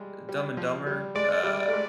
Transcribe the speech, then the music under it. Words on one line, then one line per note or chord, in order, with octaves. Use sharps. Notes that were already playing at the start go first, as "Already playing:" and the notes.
Dumb and Dumber? Uh
Already playing: G3 G#3
G3
F3
G3
G#3 D5
G3
A3
G#3